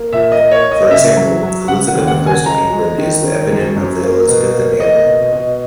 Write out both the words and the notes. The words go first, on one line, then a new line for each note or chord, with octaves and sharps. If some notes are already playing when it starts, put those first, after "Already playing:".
For example, Elizabeth the First of England is the eponym of the Elizabethan era.
Already playing: A#3
A#2 E5
D#5
A#3
C#5
A#3
D#5
D#5
C#3 E5
F#3
F#3
C#3 F#5
F#5
D#2
F#5
C#3
G#5
G#3 A#5
G#3
D#3
D#3
F#2
F#2
A#3
B2
A#3
A#3 D#5
B2
B2